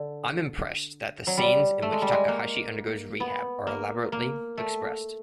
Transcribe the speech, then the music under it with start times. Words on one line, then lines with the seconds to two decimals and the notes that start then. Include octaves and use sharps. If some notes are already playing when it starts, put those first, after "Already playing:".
I'm impressed that the scenes in which Takahashi undergoes rehab are elaborately expressed.
Already playing: D3
1.27 F#3
1.37 G3
1.82 A3
1.92 G#3
2.02 G3
2.13 G#3
2.28 A#3
3.20 B3
3.67 A#3
4.12 A#3
4.57 A3